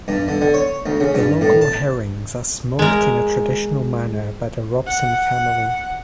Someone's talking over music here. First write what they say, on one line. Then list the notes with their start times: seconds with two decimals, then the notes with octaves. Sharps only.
The local herrings are smoked in a traditional manner by the Robson family.
0.08 G2
0.28 D3
0.41 D3
0.54 C#5
0.86 D2
1.00 C#3
1.14 G2
1.41 A2
1.61 A5
2.79 G#3 A#4
4.86 F#5